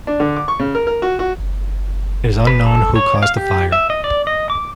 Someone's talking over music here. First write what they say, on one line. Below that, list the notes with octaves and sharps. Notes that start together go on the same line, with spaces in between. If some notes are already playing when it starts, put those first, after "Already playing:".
It is unknown who caused the fire.
D4
D3
D6
C#6
C#3
A#4
A#4
F#4
F#4
B4
A4
C#5
F5
G4
E5
D#5
D5
D#5
D6